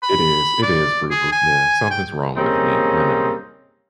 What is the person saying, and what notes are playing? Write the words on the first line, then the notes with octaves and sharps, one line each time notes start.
It is, it is brutal, yeah, something's wrong with me, I know.
B5
D5
G#4
G#5
G5
G3 A#3 C4 C#4 D#4 G#4